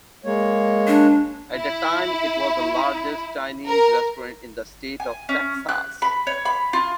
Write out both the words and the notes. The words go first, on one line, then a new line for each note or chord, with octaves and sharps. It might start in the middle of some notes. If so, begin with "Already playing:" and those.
At the time it was the largest Chinese restaurant in the state of Texas.
G#3 A#3 C#5
D4
E4
A#4
G#5
C#4
F#6
B5
C#5
B5
F4